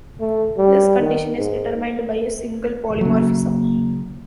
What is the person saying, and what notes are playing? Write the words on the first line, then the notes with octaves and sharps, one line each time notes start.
This condition is determined by a single polymorphism.
A3
G3
D#3
G#2
C#3 F#3 A#3